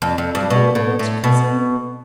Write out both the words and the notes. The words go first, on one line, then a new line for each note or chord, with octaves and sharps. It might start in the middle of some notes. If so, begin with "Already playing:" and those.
Do you know what, cousin?
F2
F2
G2
B2
A2
A2
B2